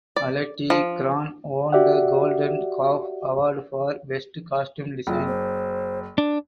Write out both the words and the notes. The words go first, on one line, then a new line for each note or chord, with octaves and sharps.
Alette Kraan won the Golden Calf award for Best Costume Design.
D5
F3
F#4 G4 D5 E5 F#5
F#1 F4
C5
D4